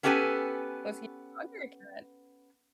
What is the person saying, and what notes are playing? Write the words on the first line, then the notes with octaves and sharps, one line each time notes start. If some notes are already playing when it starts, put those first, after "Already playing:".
Was he a dog or a cat?
B3 C#4 G4 A4 B4 G#5